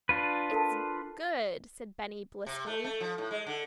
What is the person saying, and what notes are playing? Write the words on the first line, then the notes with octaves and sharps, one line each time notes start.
"It's good," said Benny blissfully.
D4 F4 B4
A4 A#4 A5
C3
A3
A3
F3
A2
G#3
D3